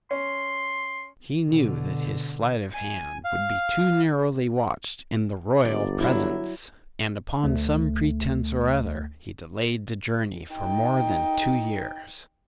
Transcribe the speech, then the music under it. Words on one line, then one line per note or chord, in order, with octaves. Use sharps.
He knew that his sleight of hand would be too narrowly watched in the royal presence; and upon some pretence or other he delayed the journey for more than two years.
C#4 C6
B2 D3
G#5
F5
G1 D5
F#3 E4
D2 A3
D#4 G5